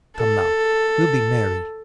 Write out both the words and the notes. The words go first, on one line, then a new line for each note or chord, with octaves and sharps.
Come now, we'll be merry.
A4